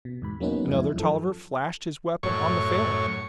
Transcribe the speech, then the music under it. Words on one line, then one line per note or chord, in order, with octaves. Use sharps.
Another Tolliver flashed his weapon on the Falin.
B2
E2 G#2 B5
F#3 A#3 B3 C#4 D#4 B4
F2 G#2 E4
F#2 F3 A4
F#2 A2 C#5 C#6